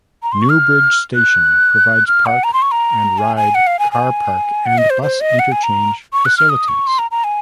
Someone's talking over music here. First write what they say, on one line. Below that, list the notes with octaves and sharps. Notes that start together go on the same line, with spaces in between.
Newbridge station provides Park and Ride car park and bus interchange facilities.
A#5
C6
C#6
F6
F#6
F6
F#5
A#5
C6
C#6
A#5
G#5
G#5
F#5
F5
G#5
G#5
F#5
D#5
C5
C5
D#5
F#5
G#5
A#5
C#6
F#6
F6
D#6
C#6
C6
A#5
A#5
G#5